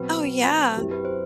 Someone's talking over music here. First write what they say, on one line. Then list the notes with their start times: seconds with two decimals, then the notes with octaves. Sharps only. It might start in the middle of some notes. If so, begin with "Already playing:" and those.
Oh, yeah.
Already playing: B2 F#3 C4 F#4 B4
0.77 F#2 F#3 C4 E4 G4
0.91 B4
1.05 C5